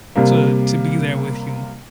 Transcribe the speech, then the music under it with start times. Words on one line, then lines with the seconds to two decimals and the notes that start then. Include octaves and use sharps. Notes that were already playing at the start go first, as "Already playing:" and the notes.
to to be there with you
0.16 C3 G3 A#3